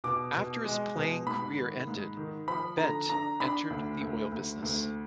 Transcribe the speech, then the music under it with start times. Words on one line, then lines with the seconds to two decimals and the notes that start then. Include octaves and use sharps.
After his playing career ended, Bent entered the oil business.
0.04 B2 D6
0.34 B2
0.65 G#3
0.96 B2
1.26 G#2 B5
1.57 D#3
1.87 G#2
2.17 D#3
2.48 F3 B5
2.78 D3 A#5
3.09 D4 A#5
3.40 D4 B5
3.70 D2
4.01 D2
4.32 D2
4.62 D2